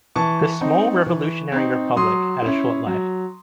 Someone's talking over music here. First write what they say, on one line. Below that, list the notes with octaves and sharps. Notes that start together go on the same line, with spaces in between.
The small revolutionary republic had a short life.
E3 A5 C#6
C4 D#4
E3
C4 D#4
F#3 C6 D#6
C#4 E4
F#3